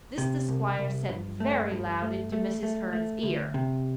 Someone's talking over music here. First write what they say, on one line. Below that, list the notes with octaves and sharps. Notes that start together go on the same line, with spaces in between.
This the squire said very loud into Mrs. Hearn's ear.
C3
C2
C2
G2
A3
G2
A3
A3
A3
A3
D2
C3